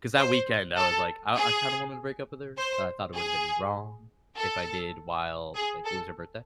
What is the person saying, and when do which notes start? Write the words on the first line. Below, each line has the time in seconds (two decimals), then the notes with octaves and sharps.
'cause that weekend, I was like, I I kinda wanted to break up with her, but I thought it would have been wrong if I did while, like, it was her birthday,
0.17 C5
0.77 A4
1.37 G#4
2.57 C5
3.16 G#4
4.36 A4
5.55 G#4
5.85 A4